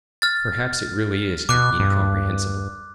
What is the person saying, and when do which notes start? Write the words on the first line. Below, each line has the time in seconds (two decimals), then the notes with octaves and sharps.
Perhaps it really is incomprehensible.
0.22 F6 A6
1.49 B2 D6 F#6
1.79 G2